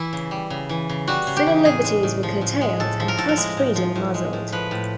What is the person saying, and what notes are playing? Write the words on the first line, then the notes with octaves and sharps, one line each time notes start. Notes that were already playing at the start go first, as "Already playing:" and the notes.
Civil liberties were curtailed and press freedom muzzled.
Already playing: E3 E4
C#3
G3
C#3
E3
C#3
G3 F#4
C#3
G4
E3
A2 G#4
G#3
A2
F3
A2
G#3
A2 A4
F3
A#4
A2 A4
A#4
G#3
A2
F3
A2
G#3
A2
F3 B4
A2